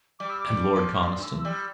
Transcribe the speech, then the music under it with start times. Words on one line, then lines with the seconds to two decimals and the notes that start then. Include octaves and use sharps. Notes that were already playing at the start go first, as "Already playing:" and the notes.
"And Lord Conniston?"
0.19 G3 D6
0.30 E6
0.40 D6
0.48 G3
0.76 F3
0.94 D6
1.03 A#2 C6
1.19 G2
1.23 A2 E6
1.44 G3 E6